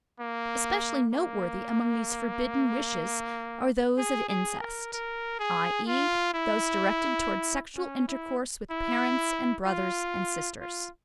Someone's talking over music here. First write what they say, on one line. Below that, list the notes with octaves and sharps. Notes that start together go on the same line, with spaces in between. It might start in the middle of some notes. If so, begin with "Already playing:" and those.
Especially noteworthy among these forbidden wishes are those of incest, i.e., those directed towards sexual intercourse with parents and brothers and sisters.
A#3
A#3
G#4
G#4
A#4
A#4
G#4
F4
E4
C#4
E4
E4
F4
F4